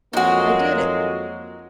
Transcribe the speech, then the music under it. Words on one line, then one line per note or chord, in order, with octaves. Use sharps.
I did it.
F2 D#3 F#3 G#3 A#3 D#4 F#4